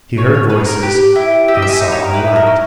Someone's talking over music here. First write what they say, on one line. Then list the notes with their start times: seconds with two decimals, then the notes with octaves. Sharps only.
He heard voices and saw a light.
0.17 C#4 C#5
0.34 C#5
0.50 G#4 B4
0.66 A#4
0.83 G4 B4
1.16 E4 G5
1.48 G4 E5
1.55 D#5
1.62 E5
1.70 G#5
1.81 D#4
1.92 C#5
2.04 A#4
2.13 E4 B4
2.36 A#4
2.46 C#4